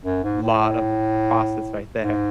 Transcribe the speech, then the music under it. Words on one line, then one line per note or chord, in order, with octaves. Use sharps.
lot of a process right there.
F#2
G#2
A2
G#2